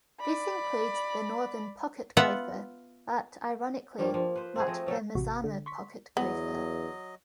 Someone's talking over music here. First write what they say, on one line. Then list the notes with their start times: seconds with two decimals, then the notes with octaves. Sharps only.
This includes the Northern pocket gopher, but ironically, not the Mazama pocket gopher.
0.20 D5 B5
2.17 B3 F4 E5 F#5
3.98 G2 F3 G3 A#3
4.14 F3
4.36 B4 C5
4.56 C4 F#4 G#4
4.67 F3 A3 D#5
4.86 B2 F#3 D#4 A4
5.15 A1 C3 F#4
5.44 D3
5.66 C6 C#6 B6
6.17 E2 F#3 B3 D#5